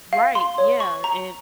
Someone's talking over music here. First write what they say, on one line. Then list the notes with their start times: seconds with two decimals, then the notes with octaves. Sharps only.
right, yeah, and
0.13 F5
0.35 C6
0.58 C#5
0.80 C#6
1.04 A#5